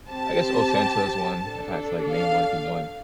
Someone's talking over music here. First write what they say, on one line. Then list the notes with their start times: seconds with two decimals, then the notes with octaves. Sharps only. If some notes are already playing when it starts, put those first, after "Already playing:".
I guess ohsxnta is one, if I had to, like, name one if you know him.
0.09 C4 G4 A5
1.45 D4 A4
2.11 F5